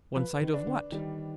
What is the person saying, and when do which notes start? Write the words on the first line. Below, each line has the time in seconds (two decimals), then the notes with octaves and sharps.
'One side of WHAT?
0.15 F3 B4
0.41 D#3
0.54 D4
0.67 D3
0.92 D#3 G3